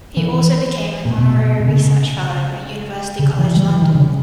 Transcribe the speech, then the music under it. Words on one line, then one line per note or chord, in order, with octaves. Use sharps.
He also became an honorary research fellow at University College London.
E3
A#2
B2
B2
C#3
C#3
E3
G3
E3
D#3
C#3